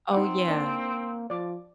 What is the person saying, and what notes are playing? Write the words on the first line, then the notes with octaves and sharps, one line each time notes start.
Oh, yeah,
C4 D#4 F#5
A#3 D4 D5 A5
F3 D5 D6